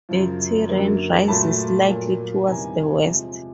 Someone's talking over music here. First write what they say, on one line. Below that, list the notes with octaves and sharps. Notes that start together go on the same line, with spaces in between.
The terrain rises slightly towards the west.
F#2 C#3 F3
F#2 D3 F#3 A#3
A#2 F#3 A3 A5 B5
A#2 F#3 A#3
E2 C3 D#3 G3 G#5 A#5
C3 F3 G#3